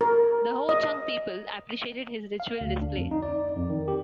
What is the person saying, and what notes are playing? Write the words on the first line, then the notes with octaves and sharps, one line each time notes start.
The Ho-Chunk people appreciated his ritual display.
A#4
D#5
F5
D2
D4
F2
D#4
D5
F2
D#3
G4